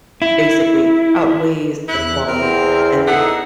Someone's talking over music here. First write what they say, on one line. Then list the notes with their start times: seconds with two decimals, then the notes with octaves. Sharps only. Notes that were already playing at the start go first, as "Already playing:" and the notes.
basically outweighs the quality. And,
0.22 E4
1.88 E2 E4 F#6
2.28 E2 C4 A#4
3.07 D#4 E4 G#4 A4 F#5